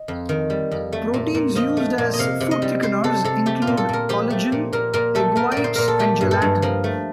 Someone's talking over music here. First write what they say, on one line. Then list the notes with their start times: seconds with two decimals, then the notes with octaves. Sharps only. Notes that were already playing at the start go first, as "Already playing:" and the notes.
Proteins used as food thickeners include collagen, egg whites, and gelatin.
Already playing: D#5
0.08 F2
0.29 D#3
0.50 G3
0.71 F2
0.93 A3
1.14 A#2
1.35 A#2
1.55 F3 D#5
1.77 A3
1.98 A#2
2.13 D#5
2.19 C3 F5
2.40 C3
2.51 D#5
2.62 G3
2.82 G3 C5
3.04 C3 A4
3.24 C3 A4
3.46 A3 G4
3.62 F4
3.67 A#2
3.77 A4
3.89 A#2 A#4
4.09 F3 G4
4.30 A3
4.52 A#2
4.73 A#2 A#4
4.94 A#2 A#4
5.15 A3 A4
5.36 A3 A#4
5.52 D5
5.57 A#2
5.64 C5
5.75 A#2 A#4
5.88 A4
5.99 A3 G4
6.21 G2
6.31 A4
6.42 G2
6.62 F3 A#4
6.84 A3